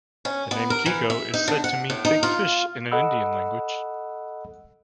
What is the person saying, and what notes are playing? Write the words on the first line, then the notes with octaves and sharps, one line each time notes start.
The name "Keego" is said to mean "big fish" in an Indian language.
C#4
B3
A#4
E3
E5
D#4
D3
F#5
A2
D#4
F4
A4 D#5 F#5 B5 E6